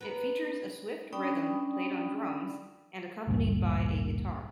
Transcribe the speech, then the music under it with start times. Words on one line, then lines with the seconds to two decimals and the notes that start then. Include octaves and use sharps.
It features a swift rhythm played on drums and accompanied by a guitar.
0.01 B3 A#4 B4
1.13 C#4 D4 D5 G5 B5 D#6
3.27 A1 D2 G2 A#2